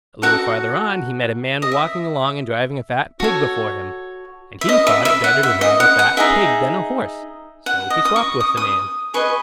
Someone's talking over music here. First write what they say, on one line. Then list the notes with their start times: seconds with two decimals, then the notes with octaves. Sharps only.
A little farther on he met a man walking along and driving a fat pig before him, and he thought it better to have a fat pig than a horse, so he swopped with the man.
0.22 D#4 F#4 A4 F#5
1.62 D#5
1.72 E5
3.20 F#4 A4 C#5
4.61 E5
4.69 D#5
4.87 E5
5.05 E5
5.24 F#5
5.43 E5
5.61 D#5
5.80 F#5
5.99 F#5
6.17 D#4 G#4 D#5 E5
7.66 F#5
7.90 D#5
8.05 D#6
8.16 C#6
8.40 D#6
8.57 D#6
9.14 G#4 B4 D#5 C#6